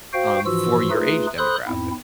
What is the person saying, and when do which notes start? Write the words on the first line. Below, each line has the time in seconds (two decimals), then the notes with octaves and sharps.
um, for your age demographic.
0.13 F#4 C5 F5 G5
0.45 G#2 E3 F3 F4 F#4 E6
0.91 A3 D#4 F4 G#4 B4
1.38 A4 C5 B5 C6 D#6 F#6
1.67 E2 G#2 C4 E4